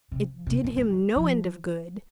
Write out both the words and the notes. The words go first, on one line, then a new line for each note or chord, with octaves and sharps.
It did him no end of good.
C3
C3
A#2
G#2
D#3
F3